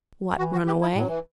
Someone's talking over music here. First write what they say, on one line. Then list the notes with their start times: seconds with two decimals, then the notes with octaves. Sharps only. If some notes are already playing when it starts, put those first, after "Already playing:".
"What, run away?"
0.38 E3 F#4
0.52 F#4
0.66 G4
0.81 E4
0.95 A2 F#3
1.07 E3